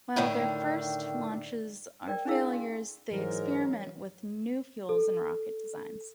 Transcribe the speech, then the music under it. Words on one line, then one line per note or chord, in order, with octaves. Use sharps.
While their first launches are failures, they experiment with new fuels and rocket designs.
A2 D3 D#3
A#4 D5 G5
C#4 D4 E4 G#4 F5 E6
C6
G#2 E3 F#3 A#4
A4